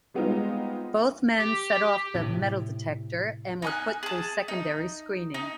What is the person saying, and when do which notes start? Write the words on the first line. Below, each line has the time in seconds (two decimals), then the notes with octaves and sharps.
Both men set off the metal detector and were put through secondary screening.
0.14 G3 G#3 B3 C4 D#4 F4
1.38 G4
2.15 A2 C3
3.62 D#4 G#5 F#6
4.03 G#4 A5
4.48 D#4
5.34 D#4